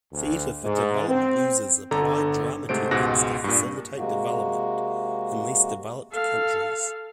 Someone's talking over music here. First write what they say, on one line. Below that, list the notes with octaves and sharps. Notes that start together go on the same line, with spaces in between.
Theatre for Development uses Applied Drama techniques to facilitate development in less developed countries.
D2
G#2
C4
G1 D3 A4 A#5
G#2 C3 A3 C5 D7
C#2 G#2 B2 F#6 A#6
G2 A#2
C3 G#3 A#3 F#4
A4 F5